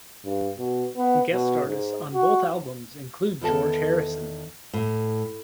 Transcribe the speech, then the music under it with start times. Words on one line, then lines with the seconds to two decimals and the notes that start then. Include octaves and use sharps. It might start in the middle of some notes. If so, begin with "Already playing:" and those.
Guest artists on both albums included George Harrison.
0.25 G2
0.58 B2
0.97 B3
1.32 B2
1.66 G#2
2.14 F#4
3.41 E2 D#3 A4 A5
4.73 A2